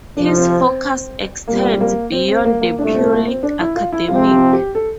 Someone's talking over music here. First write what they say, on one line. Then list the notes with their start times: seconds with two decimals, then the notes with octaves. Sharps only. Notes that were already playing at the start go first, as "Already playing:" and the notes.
His focus extends beyond the purely academic.
0.16 F2 C3 F3 D4
0.38 C4
0.59 C4
1.47 C2 A#2 G3 A#3 C4
1.81 A#3
2.12 C4
2.28 C4
2.45 A#3
2.61 A#3
2.79 C2 A#2 A3 D4
2.95 C4
3.11 A#3
3.27 C4
3.43 D4
3.60 E4
3.76 F4
3.92 E4
4.08 C3 F3 C4 F4
4.31 G4
4.53 G4
4.75 A4